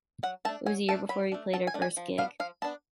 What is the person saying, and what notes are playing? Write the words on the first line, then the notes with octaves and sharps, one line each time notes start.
It was a year before we played our first gig.
F#3 F#5
A3 D4 A5
F#3 G#5
A3 D4 A5
F#3 B5
A3 D4
F#3 A5
G#5
A3 D4
G#5
F3
B3 D4 F5
F3 F5
B3 D4 A5